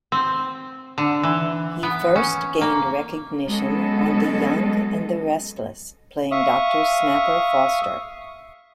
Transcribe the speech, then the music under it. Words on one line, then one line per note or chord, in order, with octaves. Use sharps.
He first gained recognition on "The Young and The Restless", playing Doctor Snapper Foster.
C4
D3
E3
B3
C#4
A#3
F#3 G#3 B3 C#4 A4 D#5
E5 F5 C#6 D#6